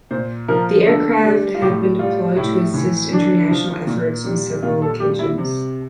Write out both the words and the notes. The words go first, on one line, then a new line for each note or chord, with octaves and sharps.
The aircraft have been deployed to assist international efforts on several occasions.
A#2 C5
F3 A#4
D3 A4
G3
F4
A2 G4
G3 F4
A2 E4
E3
D3 D4
F3
A#2
G3
A#2 F4
A4
G3 G4
E4
C3